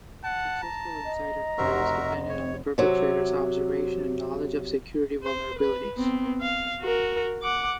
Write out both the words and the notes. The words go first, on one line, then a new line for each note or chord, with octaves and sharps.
Successful insider crimes depended on the perpetrators' observation and knowledge of security vulnerabilities.
F#5 A5
A#5
D#5
F1 F#4 A#4 C5 E5
C#5
C3 F#3
C5
B4
B3 C4
F5
F#4 A#4
F#5 D6